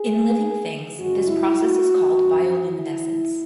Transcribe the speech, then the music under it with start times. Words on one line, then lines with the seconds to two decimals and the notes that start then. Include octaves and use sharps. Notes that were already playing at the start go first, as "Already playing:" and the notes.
In living things, this process is called bioluminescence.
Already playing: G#4
0.99 F#2 C#3 G#3 F#4
1.27 E4
1.56 F#4
2.14 F#2 F#3
2.71 E4